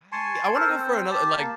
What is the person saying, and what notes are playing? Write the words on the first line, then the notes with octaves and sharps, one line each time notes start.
I I wanna go for another, like
G#5 A5 C6 C#6
A4 A#4 C5
C4
G4 A5
A#3